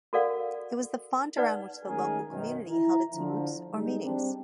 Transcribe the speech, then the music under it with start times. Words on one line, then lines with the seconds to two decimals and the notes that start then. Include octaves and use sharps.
It was the font around which the local community held its moots or meetings.
0.13 F#4 A4 A#4 D5 F5 F#5
1.37 D#4 B4 D5 F#5
1.86 D#3 G#3 A3 C#4 G#4 A#4
2.30 F#2 B2 D#3
2.70 E4 A#5
3.13 D3 F3
3.70 G3 G#3 D#4
4.03 G3 C4 D4